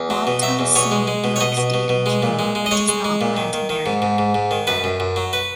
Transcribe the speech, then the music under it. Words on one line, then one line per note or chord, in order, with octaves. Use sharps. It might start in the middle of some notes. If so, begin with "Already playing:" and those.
Bob tells Sidney he likes dating Jeanie, but does not plan to marry her.
Already playing: E2
F#3
B2
F#3 E5
E2
B2 C#5
G#3
G#3
B2
C#5
B2 D#5
B2
B2
B2
G#3
A#2
G#3
G#3
D#5
G#3 C#5
G#3
G#3
A#2
D#3
D#3
D#3
G#2
G#2
G#2
G#2
D#3
F#2 B4
F#2
F#2
F#3
B4